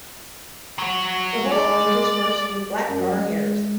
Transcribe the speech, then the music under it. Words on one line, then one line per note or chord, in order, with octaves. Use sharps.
The whole interspersed with black guard hairs.
F#3 F#4
G#3 D5
F#2
G#3